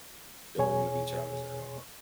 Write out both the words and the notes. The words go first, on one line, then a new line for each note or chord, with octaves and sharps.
Don't wanna be challenged at all.
E2 B2 G#4 C#5 G#5